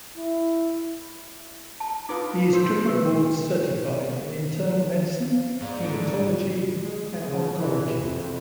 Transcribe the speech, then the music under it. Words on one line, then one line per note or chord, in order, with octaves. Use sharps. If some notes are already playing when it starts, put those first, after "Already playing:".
He is triple-board-certified in internal medicine, hematology and oncology.
E4
A5
D#4 F4 B4 D6 D#6
C5 E6
G4 A#4 B4
F5
G#2 D5
A2 D3
G#3
C#3
E3
F2